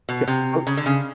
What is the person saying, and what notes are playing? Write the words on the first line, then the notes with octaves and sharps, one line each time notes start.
Yeah, boats
B2
C3
C#3
D3
C#3